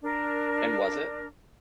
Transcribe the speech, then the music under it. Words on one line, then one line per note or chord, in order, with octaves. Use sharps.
and was it?
D4 A#4